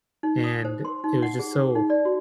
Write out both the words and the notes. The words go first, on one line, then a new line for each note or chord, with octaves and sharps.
and it was just so
D#4
D#6
C5
C6
D#4
F#5
G#4
D#4
D5
F#4